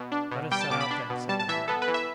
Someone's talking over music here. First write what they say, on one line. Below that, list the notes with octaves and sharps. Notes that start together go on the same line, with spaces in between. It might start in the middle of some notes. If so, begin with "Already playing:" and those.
"Let us set out, then!" said the hunter.
Already playing: B2
D4
B2
G3 G5
A5
B2 D6
B5
D4
B2
G3 A5
A5
E3 E5
B3 A4
B4
E3
E5